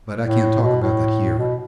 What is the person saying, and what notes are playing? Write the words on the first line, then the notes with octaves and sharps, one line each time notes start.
But I can't talk about that here.
A2
B2
A2
B2